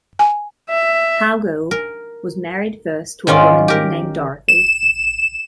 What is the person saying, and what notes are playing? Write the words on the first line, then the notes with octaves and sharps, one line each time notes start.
Howgill was married first to a woman named Dorothy.
G#5
E5
A#4
G#2 D#3 C#4 F4 D5
G4 A#4
E7